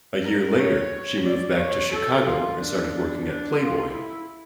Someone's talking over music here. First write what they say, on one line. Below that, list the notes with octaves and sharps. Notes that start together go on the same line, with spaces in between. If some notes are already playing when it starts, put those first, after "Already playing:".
A year later, she moved back to Chicago and started working at "Playboy".
A#4
C#5
D5
C#5
A4
F4
D4
D4
D4
F4
E4